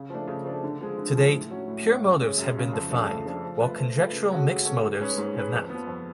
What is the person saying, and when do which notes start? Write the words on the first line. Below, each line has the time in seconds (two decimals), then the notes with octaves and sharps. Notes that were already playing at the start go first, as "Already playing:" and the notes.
To date, pure motives have been defined, while conjectural mixed motives have not.
Already playing: C#3
0.10 F3 A3 D4
0.28 C#3
0.45 F3 A3 D4
0.64 D3
0.81 F3 G#3
0.98 D3
1.15 F3 G#3
1.33 A2
1.50 F#3 C#4 F#4
1.68 A2
1.86 F#3 C#4 F#4
2.03 F#2
2.20 C#3 G#3 C#4
2.38 F#2
2.55 C#3 G#3 C#4
2.73 F2
2.90 C#3 F3 A3 D4
3.08 F2
3.25 C#3 F3 A3 D4
3.42 F3
3.60 A3 F4 B4
3.78 F3
3.95 A3 F4 B4
4.12 C#3
4.30 G#3 C#4 F#4 A4
4.48 C#3
4.65 G#3 C#4 F#4 A4
4.83 G#2
5.01 G#3 C#4 G#4 B4
5.18 G#2
5.35 G#3 C#4 G#4 B4
5.53 F2
5.70 F3 B3
5.87 F2